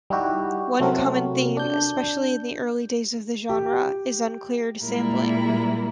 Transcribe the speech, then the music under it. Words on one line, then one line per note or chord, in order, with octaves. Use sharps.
One common theme, especially in the early days of the genre, is uncleared sampling.
G3 D#4 E4 F#4 G4
C3 F#3 A3 C4 F#4 A#4
D4 G6
G4
A#2 G3 G#3 A#3 E4 A#4